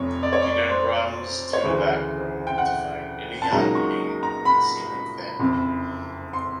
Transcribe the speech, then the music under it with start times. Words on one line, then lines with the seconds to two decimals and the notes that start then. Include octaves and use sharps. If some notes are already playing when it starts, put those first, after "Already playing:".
He then runs to the backroom to find Inayat hanging from the ceiling fan.
Already playing: F1 F2 C3 C#5
0.23 D5
0.33 C#5
0.42 D5
0.70 C5
1.53 C#5
1.64 D2 C#3 E3 C5
2.47 G5
2.58 F#5
3.42 A5
3.51 C#2 C#3 F#3 A#3 D#4 A#5
3.75 C#6
4.23 A#5
4.45 B5
5.40 F#1 F2 C3
6.33 C6